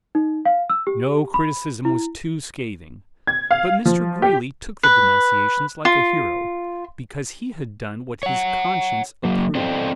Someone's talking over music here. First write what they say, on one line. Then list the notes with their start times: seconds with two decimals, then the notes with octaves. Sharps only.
No criticism was too scathing; but Mr. Greeley took the denunciations like a hero, because he had done what his conscience approved.
0.15 D#4
0.45 F5
0.70 E6
0.87 G4
1.34 B5
1.85 E4
3.27 G#6
3.51 F5
3.85 F3
4.22 G4
4.83 B4
5.85 F4
8.23 C#5 F#5
9.25 F#3 A#3
9.55 C4 A4 C5 D5 D#5 G5